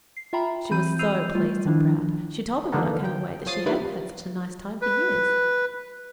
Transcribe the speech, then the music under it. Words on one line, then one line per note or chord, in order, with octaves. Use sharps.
She was so pleased and proud; she told me when I came away that she hadn't had such a nice time for years.
C7
F4 E5 G5 A#5 B5
E3 C4 B5 G6 D#7
E6 G6 C7 D#7 F7
G3 A3 F4
D#3 F3 D4 E4
D3 E3 A#3 B3 D#4
G5
F3 C#5 D#6 A6 C7 D#7
D3 D#3 G3 E4 F4 B4
B4